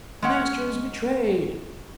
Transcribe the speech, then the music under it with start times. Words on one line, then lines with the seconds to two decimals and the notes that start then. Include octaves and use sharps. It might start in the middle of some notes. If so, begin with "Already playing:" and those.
"The Master is betrayed!"
0.22 G#3 C#4 F#5